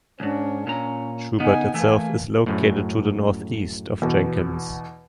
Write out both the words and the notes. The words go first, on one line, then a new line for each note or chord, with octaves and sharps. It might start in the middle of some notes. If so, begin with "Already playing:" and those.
Schubert itself is located to the northeast of Jenkins.
C#2 G#2 C#4 D4
A#2 C#4 A#5
C#3 B3 D#4 G#5
E3 A3 A#3 G#5
F#2 A2
E2 B2